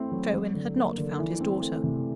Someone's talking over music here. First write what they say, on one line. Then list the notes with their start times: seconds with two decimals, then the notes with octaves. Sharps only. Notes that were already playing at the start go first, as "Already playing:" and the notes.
Sherwin had not found his daughter.
Already playing: A3 C4 E4
0.12 F#3
0.33 F#3
0.54 D3
0.76 A#3
0.98 D3
1.19 E3
1.40 C4
1.62 A3
1.83 C3